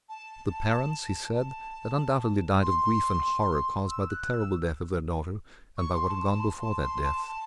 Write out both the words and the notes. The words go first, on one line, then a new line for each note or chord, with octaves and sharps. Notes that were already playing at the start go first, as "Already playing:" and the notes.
The parents, he said, had undoubtedly died of grief and horror caused by the terrible death of their daughter, and by what had gone before that death.
A5
A5
C6
E6
F#6
E6
C#6
C6
A5
A5
C6
A5
C6
A5